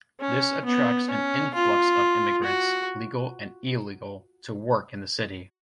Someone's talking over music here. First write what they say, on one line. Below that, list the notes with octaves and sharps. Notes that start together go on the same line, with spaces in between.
This attracts an influx of immigrants, legal and illegal, to work in the city.
C#4
B3
C#4
F4
F#4